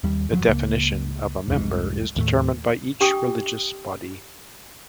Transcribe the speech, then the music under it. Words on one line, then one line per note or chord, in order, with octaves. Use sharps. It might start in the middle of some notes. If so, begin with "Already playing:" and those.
The definition of a member is determined by each religious body.
D#2 G3
F#1 F3 F#3
C#2 A#3
F1 C2 G#2
D#2 A2 A3
D4 G4 G5 D6 D#6